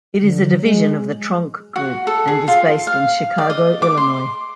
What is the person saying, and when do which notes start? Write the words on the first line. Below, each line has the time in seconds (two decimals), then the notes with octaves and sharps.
It is a division of the Tronc group, and is based in Chicago, Illinois.
0.22 D3
0.43 F#3
0.61 G#3
1.76 F#4
2.07 A4
2.28 G#4
2.48 F4
2.87 F5
3.38 D5
3.50 D#5
3.82 D6
3.97 C6